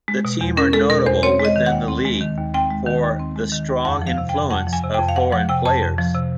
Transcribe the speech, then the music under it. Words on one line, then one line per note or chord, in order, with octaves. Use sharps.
The team are notable within the league for the strong influence of foreign players.
G#3
B2
E2
C#4 A#4
G#3 A4
B2 A#4
E2 C5
C4 C#5
G#3
D#5
D#3
F#5
D#2
C4
G#3
D#3
D#2
C4 G5
G#3
D#3
D#2
C4
G#3
D#3
D#2
F2 F#5
F3
F5
C3
G5
F2
F2 F#5
F3
G#5
C3
G5
F2
F5
F2 F#5
F3 F#5
C3 G5
F2 A5
F2
F3
C3